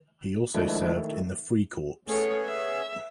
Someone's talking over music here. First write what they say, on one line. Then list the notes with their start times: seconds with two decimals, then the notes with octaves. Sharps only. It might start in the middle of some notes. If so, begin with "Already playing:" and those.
He also served in the "Freikorps".
0.54 D#3 F3 G#3 A3 D4 E4
0.96 D#3 A3
2.08 A3 B3 C#4 G#4 C#5
2.45 E5